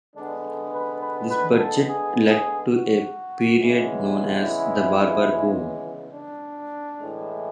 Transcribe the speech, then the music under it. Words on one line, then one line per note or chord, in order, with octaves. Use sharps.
This budget led to a period known as "The Barber Boom".
D3 G#3 B3 D4
A4
B4
B4
B4
A4
G#4
G#4
F#4
C#3 E3 G#3 B3
E4
D4
A2 E3 G#3